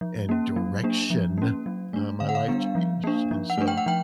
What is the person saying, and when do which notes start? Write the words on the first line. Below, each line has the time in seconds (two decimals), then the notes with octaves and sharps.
and direction, uh my life changed, and so,
0.01 F3
0.29 A#3 C#4
0.56 F#3
0.83 A#3 D4
1.10 F3
1.38 A#3 C#4
1.66 F#3
1.93 A3 D4
2.20 D3 F5
2.29 F#5
2.35 F5
2.48 G3 B3 D4
2.75 F3
3.04 A#3 D4
3.31 F3
3.50 F#5
3.58 A3 D4
3.68 G5
3.77 F#5
3.86 F3 G5